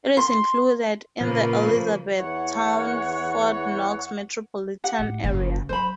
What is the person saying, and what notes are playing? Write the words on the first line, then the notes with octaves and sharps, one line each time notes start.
It is included in the Elizabethtown-Fort Knox Metropolitan Area.
C6
A#2 C#3 F3 A#3 B4
E2 E3 C#5 F#5
G4 F#5
A2
F#1 C#3
F#3 C5 B5